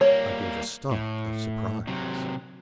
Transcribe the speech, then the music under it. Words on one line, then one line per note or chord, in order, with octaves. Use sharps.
I gave a start of surprise.
G3 A#3 C#5
A2
C3 F#3